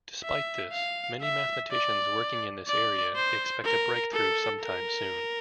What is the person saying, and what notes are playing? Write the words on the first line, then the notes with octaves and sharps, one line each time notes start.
Despite this, many mathematicians working in this area expect a breakthrough sometime soon.
E5
F5
E5
D5
D5
C5
A#4
A4
A#4